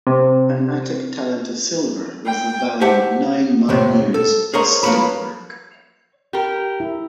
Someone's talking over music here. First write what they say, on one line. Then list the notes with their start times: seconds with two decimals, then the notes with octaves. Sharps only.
An Attic talent of silver was the value of nine man-years of skilled work.
0.07 C3
2.25 G5
2.81 G4 C5 E5 F#5 A5
3.69 D#2 A2 C3
4.14 A4
4.54 G#4 A#4 C5 C#5 D#5 A#5
4.83 F3 A#3 B4 C#5 B5
6.33 G4 A#4
6.80 E4